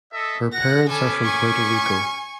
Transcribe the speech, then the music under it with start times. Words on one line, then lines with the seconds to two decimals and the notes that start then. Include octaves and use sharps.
Her parents are from Puerto Rico.
0.13 A4 D#5 E5
0.52 F#5 A#6
0.88 C#4 A4 G#5 B5 D6
1.22 G#5 C#6